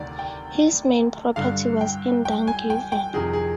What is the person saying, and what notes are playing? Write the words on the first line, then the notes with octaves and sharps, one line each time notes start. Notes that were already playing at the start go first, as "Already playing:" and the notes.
His main property was in Dungiven.
Already playing: D2 C3 D#3 D5
G5
G2 D3 F5
G5
G5
G#5
G5
G5
F2 C3 D#3 G#4
G#4